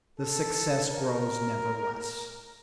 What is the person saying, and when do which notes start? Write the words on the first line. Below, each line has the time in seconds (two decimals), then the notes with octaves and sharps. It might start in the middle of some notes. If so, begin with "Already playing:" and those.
The success grows never less.
0.19 A4
0.91 A#4